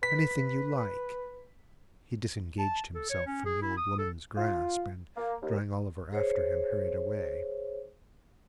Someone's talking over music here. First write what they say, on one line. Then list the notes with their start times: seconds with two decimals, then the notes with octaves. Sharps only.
Anything you like!' He disengaged himself from the old woman's grasp; and, drawing Oliver after him, hurried away.
0.03 B4 B6
2.59 A5
2.94 A4
3.10 C#5
3.27 C#4
3.46 G#4
3.63 E4
3.77 D#6
3.98 A4
4.37 F4
5.17 A#3
5.42 D#2
6.12 G#4 C5 C#5